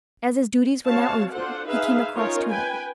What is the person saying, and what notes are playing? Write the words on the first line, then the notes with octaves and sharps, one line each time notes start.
As his duties were now over, he came across to them.
C4 F#4 C#5 F5 A5
D4 F4 A4 C5 F#5
D#4 G#4 B4 E5 F5
C#4 D#4 F4 A#4 C#5
B4 G5 G#5